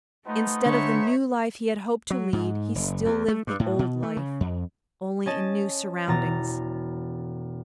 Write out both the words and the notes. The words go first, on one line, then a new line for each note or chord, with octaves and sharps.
Instead of the new life he had hoped to lead he still lived the old life, only in new surroundings.
F3 A3 B3 D#4
D3 C#5 E5
F#3
G#2
F#1
E2
A3
G2
A2
B2
A3
C#3
F2
C#4 D#5 A5
E1 B2 A#5 A6